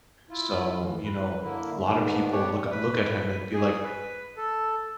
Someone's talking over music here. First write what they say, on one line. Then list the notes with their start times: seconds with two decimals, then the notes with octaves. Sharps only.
So, you know, a lotta people look a look at him and be like,
0.30 E4 F4
0.79 D2 E3
1.05 B4
1.42 D3 A#3 E4
1.83 G#2 D#3 B3 D4
2.31 B3 D4 G4 C#5 D5 F#5
2.70 B4
3.54 G#4
3.83 B4
4.37 A4